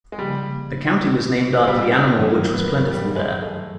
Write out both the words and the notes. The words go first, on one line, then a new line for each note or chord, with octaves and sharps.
The county was named after the animal which was plentiful there.
G#3
C#3 F3 G3 A#3
G#3
G3
G3
G#3
G2 D#3 F#3 A3
A#3
B3
A#3
G3
G#3
A3